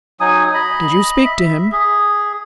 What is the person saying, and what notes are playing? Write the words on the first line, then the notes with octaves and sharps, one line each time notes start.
"Did you speak to him?"
F#3 D#4 G#5 D#6
D#5 B5
E5
G#4